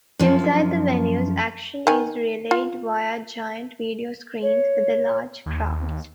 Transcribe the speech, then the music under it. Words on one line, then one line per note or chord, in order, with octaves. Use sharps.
Inside the venues, action is relayed via giant video screens for the large crowds.
F#2 F3
D#3 G#5
F4
C#5
D#2